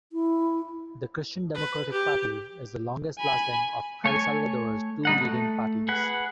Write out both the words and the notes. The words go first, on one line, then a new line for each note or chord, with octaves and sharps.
The Christian Democratic Party is the longest lasting of El Salvador's two leading parties.
E4
B4
G4
G#5 B5
A3 C#5 G#5
G3 D#4 F#5
A3
G#4 B4 F#5